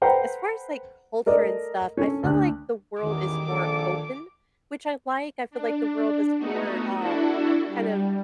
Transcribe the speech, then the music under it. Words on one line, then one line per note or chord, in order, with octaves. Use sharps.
as far as, like, culture and stuff, I feel like the world is more open, which I like; I feel like the world is more, um, kind of
A4 B4 C5 F#5 G5 A#5
A3 A#4 D5 D#5
C#4 A4
D2 F#6
A1 E2 D#3 D6
A#1 A4
D4
A3 B3 D#4 F#4
D4 E4 F#4 A4
G3